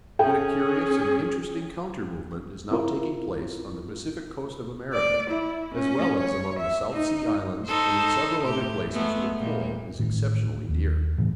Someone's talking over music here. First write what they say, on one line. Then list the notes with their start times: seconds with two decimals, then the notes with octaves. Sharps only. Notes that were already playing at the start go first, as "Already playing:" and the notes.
Yet a curious and interesting counter movement is now taking place on the Pacific Coast of America, as well as among the South Sea Islands and in several other places where coal is exceptionally dear.
0.19 C#4 G#4 A4 G5
2.71 C4 E4 F4 A#4
4.93 D5
5.31 E4
5.75 C#4
6.17 C#5
6.60 E5
6.93 D#4
7.65 D#4 A4 C5
8.44 A2 G4
8.90 G#3 A3 B3
9.38 A#2 G3
9.99 A1 A2 D#3
10.69 D#2
11.18 A2 C#3 E3